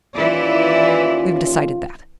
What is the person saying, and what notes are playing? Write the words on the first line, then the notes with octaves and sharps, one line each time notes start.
We've decided that.
D#2 E3 C#4 E4 F4 D5